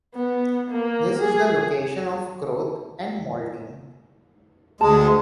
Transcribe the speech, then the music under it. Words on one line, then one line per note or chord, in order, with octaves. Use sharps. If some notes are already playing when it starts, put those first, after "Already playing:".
This is the location of growth and molting.
B3
A#3
G#4
D2 G#3 G#4 A5